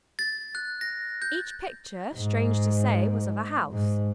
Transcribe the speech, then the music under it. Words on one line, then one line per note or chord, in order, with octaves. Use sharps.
Each picture, strange to say, was of a house.
A6
F#6
A#6
G6
G#2
G#2